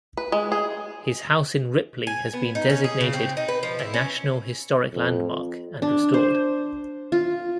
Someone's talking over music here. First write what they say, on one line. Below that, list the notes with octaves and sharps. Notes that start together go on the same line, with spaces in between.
His house in Ripley has been designated a National Historic Landmark and restored.
B4
G#3
G#4
G#5
B3
D#4
C#4
G#4
C#3
C4
D#4
B4
F3
E4
C#4
F2
D4
C5
F4